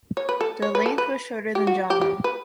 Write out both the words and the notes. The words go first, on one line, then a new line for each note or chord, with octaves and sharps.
The length was shorter than Jama.
C#5
B4
A4
C#5
B4
A4
B4
G4
F#4
G4
G4
B4